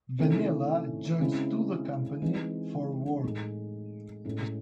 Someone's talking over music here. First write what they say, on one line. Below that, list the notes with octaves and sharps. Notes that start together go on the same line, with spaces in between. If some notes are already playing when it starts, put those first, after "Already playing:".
Vennila joins to the company for work.
C3 D#3 A3 C#4 E4
C#3 G#3 C4 E4
E3 G#3 C4 D#4
A2 G#3 D#4
A2 G#3 C#4 E4